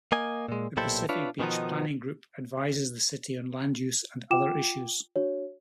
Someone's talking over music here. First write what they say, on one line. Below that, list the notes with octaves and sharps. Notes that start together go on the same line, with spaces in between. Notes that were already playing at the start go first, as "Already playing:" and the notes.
The Pacific Beach Planning Group advises the city on land use and other issues.
A#3 D#5 G#5
A#2 G#3
B1 A#2 E4 G4 A4 C5
D4 E4 F4 B4 C#5
B2 D#3 F3 B3 D#4
F4 F#5 G5 D6 E7
D4 F#4 C#5